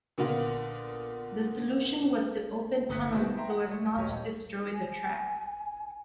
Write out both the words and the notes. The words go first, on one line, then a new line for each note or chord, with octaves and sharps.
The solution was to open tunnels so as not to destroy the track.
A#2 D3 A#3 B3
G1 A3 D#6 F#6 B6 C#7
B2 D#3 A3 B3 C4
E5 G5 A#5 C6
F#5
A3
D#1 D#2 F#3 G4 C#5 D#5
G#5